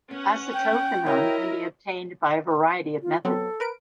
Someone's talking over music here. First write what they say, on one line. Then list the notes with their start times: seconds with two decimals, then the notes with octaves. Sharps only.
Acetophenone can be obtained by a variety of methods.
0.11 B3 C#4 F#5
0.54 G5
1.06 E4 F#4 A#4 C#5 D#5
3.02 F4
3.25 F#3 B3 C4 A4
3.60 A#4 B4 D7